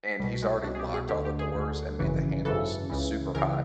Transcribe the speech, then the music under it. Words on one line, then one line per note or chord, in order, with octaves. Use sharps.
and he's already locked all the doors and made the handles super hot,
C2 B2 G3
G#3
C2 B2 D4
G#4
G4
G#4
D2 D3 G4
G4
G#4
D2 D3
G#1 F#2 C#3 E3
G#1 F#2 C#3 E3 A4
C#2 C#3 E3
C#2 C#3 E3 A#4